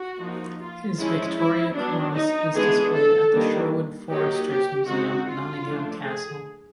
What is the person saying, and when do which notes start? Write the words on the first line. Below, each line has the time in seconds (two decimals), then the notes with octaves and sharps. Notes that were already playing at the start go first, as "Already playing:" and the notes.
His Victoria Cross is displayed at the Sherwood Foresters Museum, Nottingham Castle.
Already playing: F#4
0.21 F3 A#3 D#4
0.60 F4
0.99 F3 G#3 C#4 E4
1.38 E4
1.76 F#3 B3 D4
2.15 D#4
2.54 E3 G#3 B3 D4 G#4
2.93 A4
3.32 D#3 G3 A#3 D4
4.09 F#3 A#3 D#4 G4
4.49 G4
4.87 G#3 C4 D#4 F#4
5.26 F4
5.65 D3 F3 A3 D4
6.03 G#4